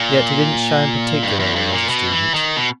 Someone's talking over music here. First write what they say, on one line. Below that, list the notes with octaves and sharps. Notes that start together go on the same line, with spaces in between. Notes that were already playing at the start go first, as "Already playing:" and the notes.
Yet he didn't shine particularly as a student.
Already playing: A#2
G2
E2
G2
A#2
B2
E3
D#3
B2